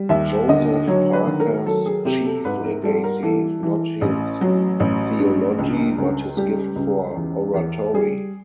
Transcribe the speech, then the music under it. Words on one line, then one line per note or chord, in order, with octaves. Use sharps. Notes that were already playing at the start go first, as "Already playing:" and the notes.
Joseph Parker's chief legacy is not his theology but his gift for oratory.
Already playing: G3
D#2 E5
D3 D#5
F#3 C#5
B4
D#3
A#4
F#3 A4
G#4
C3 G4
A4
G#2 B4
A#4
G3 A4
A#4
E3 A4
E3
A1
F#3
A1
G2
C#2
C#2
G3 G4
C#2
E2
E2
G3 G#4